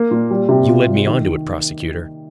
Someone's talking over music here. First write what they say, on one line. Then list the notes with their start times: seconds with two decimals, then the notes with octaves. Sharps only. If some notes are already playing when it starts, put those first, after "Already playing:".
You led me on to it, prosecutor?
Already playing: A#3
0.11 A#2
0.31 G3
0.49 C3
0.68 F4
0.87 G3
1.06 D#3